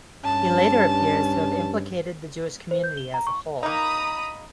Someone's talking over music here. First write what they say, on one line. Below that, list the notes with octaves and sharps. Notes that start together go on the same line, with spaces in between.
He later appears to have implicated the Jewish community as a whole.
G2 C#4 A5
C5
G6
G7
A#5
C#6
A#3 D#4 A#5 B5 D#6